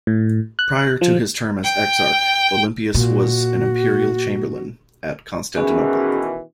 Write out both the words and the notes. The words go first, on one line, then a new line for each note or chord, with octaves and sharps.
Prior to his term as exarch, Olympius was an imperial chamberlain at Constantinople.
A2
F#6
F3
G5
A#2 F#4
B2 D#3 E3 C#4 F#4 G#4